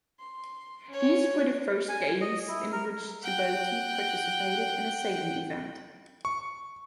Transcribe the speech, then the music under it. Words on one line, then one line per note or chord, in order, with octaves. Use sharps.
These were the first games in which Djibouti participated in a sailing event.
C6
C#4 C#5
G#5
D#5
E4
A#4
F#5 G5
C#6